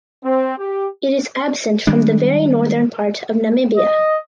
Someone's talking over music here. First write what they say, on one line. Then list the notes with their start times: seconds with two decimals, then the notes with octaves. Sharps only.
It is absent from the very northern part of Namibia.
0.24 C4
0.57 G4
1.87 D#3 G3 G#3 D4
3.75 D#5